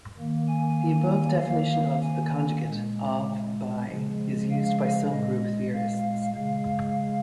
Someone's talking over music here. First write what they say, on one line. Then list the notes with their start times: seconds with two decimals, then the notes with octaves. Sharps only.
The above definition of the conjugate of by is used by some group theorists.
0.18 D#3 A#3
0.48 G#5
1.41 D#3 A#3 F5
2.03 G#5
2.65 A#2 G#3
3.88 C#3 F3 G#3
4.50 F5
5.11 A#2 G#3 D#5
5.73 F5
6.34 C#3 G#3 F5